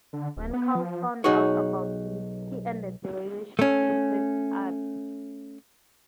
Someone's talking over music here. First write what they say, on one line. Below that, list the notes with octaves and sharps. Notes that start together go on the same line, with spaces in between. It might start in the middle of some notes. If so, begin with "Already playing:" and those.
When Karl found out about this, he ended the relationship with Abi.
D3
D1
B3
F3
B1 D#4 F#4 G#4 C#5
A3 C#4